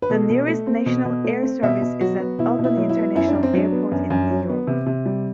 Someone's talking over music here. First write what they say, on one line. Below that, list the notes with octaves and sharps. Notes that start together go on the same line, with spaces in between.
The nearest national air service is at Albany International Airport in New York.
B4
B2 A4
B2
A3
C4
B2
B2
A3
C4
B2 E5
B2
F#3 F#4
B3
B2 E4
B2
E4
F#3
E4
B3
F#2 E4
D4
F#2
C4
F#3 D4
B3
F#2
F#2
F#3
B3
C3
C3
G3